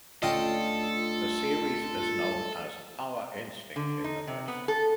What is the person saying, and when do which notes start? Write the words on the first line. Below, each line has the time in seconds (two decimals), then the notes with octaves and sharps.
The series is known as "Power Instinct" in the West.
0.23 D2 C#4 F4 A4 D#5 F5 G5
3.76 D3
4.04 D#4
4.27 C3
4.48 B3
4.68 A4